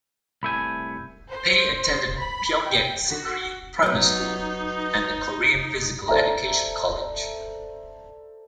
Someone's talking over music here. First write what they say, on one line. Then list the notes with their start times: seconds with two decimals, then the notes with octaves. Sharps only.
Pae attended Pyongyang Sinri Primary School and the Korean Physical Education College.
0.43 C2 A3 G#5 B5 E6 G6
1.30 C5
2.18 B5
2.67 G5
3.07 F#4
3.82 F#3 B3 D#4
6.08 A4 C5 D5 E5 A#5